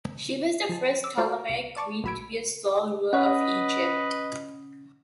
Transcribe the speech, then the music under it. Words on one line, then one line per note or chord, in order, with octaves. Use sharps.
She was the first Ptolemaic queen to be a sole ruler of Egypt.
F3 A5
D6 E6
A3 F4 F#4 A4 C5 D5
C2
D5 A5 C#6 D6
A#1 F#3 B5 E6 G#6 D7
C#4 B4 C#5 D#5 F#5